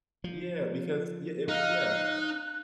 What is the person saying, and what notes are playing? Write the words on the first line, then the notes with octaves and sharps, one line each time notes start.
Yeah, because yeah, eh Yeah,
F3
D#4 F5 F#6